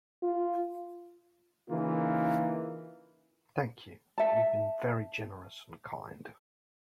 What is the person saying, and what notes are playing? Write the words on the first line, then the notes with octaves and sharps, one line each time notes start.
Thank you, you've been very generous and kind!
F4
C#3 E3 A#3 D#4 F4
E5 A5